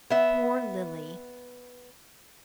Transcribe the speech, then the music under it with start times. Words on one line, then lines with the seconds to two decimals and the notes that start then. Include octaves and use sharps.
Poor Lily!
0.10 B3 E5